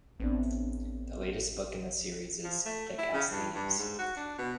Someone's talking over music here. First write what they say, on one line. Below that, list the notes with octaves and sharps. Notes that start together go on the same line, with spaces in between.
The latest book in the series is "Thick as Thieves".
A1 B3 C4 D4
F3
A3
E4
C#3
G2
G2
G#2
F#4
D4
B2